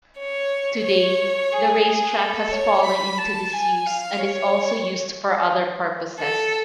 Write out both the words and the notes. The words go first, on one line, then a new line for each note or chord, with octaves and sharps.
Today the racetrack has fallen into disuse and is also used for other purposes.
C#5
C#5
G#4
A4
C#5
B5
A5
G#5
F5
C#5
A4